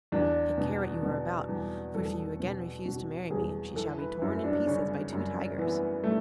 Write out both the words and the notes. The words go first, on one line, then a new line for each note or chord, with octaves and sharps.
Take care what you are about, for if you again refuse to marry me she shall be torn in pieces by two tigers.'
E2 D4
B2
B2
E2
E2 A4
B2
B2 F#4
E2 G#4
E3 A4
B4
F#2 E4
D4
C#3 C#4
F#2
E3 B3
A3